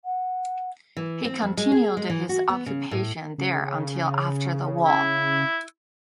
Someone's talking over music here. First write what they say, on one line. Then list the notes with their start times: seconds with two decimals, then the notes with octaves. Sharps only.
He continued his occupation there until after the war.
0.04 F#5
0.97 E3
1.25 C4
1.42 F2
1.57 G#3
1.72 G#4
1.97 G#3
2.10 E3
2.29 F#4
2.49 B3
2.66 C#3
2.91 A2
3.38 C#3
4.85 E4